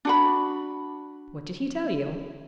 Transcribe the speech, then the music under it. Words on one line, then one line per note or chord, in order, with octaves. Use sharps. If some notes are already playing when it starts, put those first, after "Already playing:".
"What did he tell you?"
D4 F#4 B5